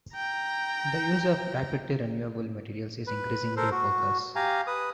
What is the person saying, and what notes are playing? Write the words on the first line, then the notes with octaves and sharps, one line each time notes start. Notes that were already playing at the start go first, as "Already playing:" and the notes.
The use of rapidly renewable materials is increasingly a focus.
G5 A#5
B4
A4 A#4 C5
F#4
G4 F5 G#5 A#5
B4 D#6